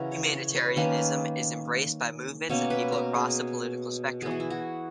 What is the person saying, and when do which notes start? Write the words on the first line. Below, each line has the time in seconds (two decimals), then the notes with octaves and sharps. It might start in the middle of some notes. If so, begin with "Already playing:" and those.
Humanitarianism is embraced by movements and people across the political spectrum.
Already playing: C#3 E3 E4 F#4 A#4
0.12 C#5
0.33 C#5
0.55 B4
0.76 D#3 A#3 C#4
2.49 B2 A#3 C#4 C#5
2.70 B4
2.92 A#4
3.14 G#4
4.22 E3 B3 G#4
4.31 F#4
4.40 E4
4.50 F#4